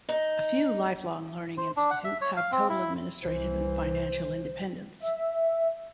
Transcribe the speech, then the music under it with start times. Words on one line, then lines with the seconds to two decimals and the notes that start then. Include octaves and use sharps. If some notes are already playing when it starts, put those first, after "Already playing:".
A few lifelong learning institutes have total administrative and financial independence.
0.09 D#4
1.57 C5
1.77 D4
1.91 F#5
2.04 E5
2.21 C#5
2.37 F5
2.52 C4
2.70 E4
3.23 C2 E3 C5
5.00 E5